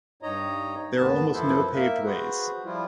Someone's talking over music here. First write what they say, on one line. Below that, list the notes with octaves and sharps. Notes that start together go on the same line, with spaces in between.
There are almost no paved ways.
G2 D#4 C#5 D#5 A#5
D#2 G#2 D#3 B3 B4 A5
F#2 F3 E4 A4 B4 C5
A#3 A#4 E5
F#4 G#4 B4 C5
F3 G3 E4 F4